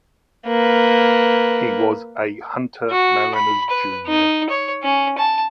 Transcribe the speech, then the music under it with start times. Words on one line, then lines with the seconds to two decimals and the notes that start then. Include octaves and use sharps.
He was a Hunter Mariners junior.
0.47 A#3 B4
2.90 F#4
3.35 B5
3.70 B4
4.07 D#4
4.50 C#5
4.83 C#4
5.18 A5